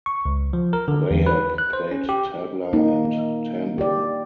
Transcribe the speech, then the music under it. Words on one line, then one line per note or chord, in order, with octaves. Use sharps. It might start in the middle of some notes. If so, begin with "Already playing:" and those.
Wahab played tabla and tambur.
C#6
C#2
F3
A#4
D3
E2
B4
F#6
C5
C#4
G4
A#3 D#4
G4 D5